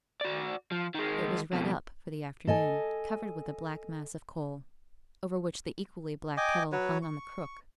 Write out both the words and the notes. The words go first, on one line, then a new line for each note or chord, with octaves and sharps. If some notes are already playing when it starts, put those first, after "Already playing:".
It was 'redd up' for the afternoon; covered with a black mass of coal, over which the equally black kettle hung on the crook.
F#4 D5
F3
D#3 G#3
F2 B2
A4 D#5 G#5
D#5 G5 G#5 D6
F#3 F#4 B4 C#5
C#6